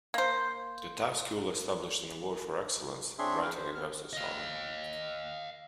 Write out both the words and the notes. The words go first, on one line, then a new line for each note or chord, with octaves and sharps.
The Taft School established an award for excellence in writing in Webster's honor.
A#3 C5
C4 D4 G#4 C#5 E5 C6
A#4 B4 E5 F5 G5
C5
B3 F6
D#5 F5